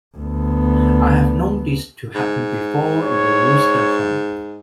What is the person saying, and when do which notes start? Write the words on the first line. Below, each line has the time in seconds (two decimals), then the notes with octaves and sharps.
I have known this to happen before in the Wooster home.
0.17 D2 B3
2.15 G#2
3.03 C#5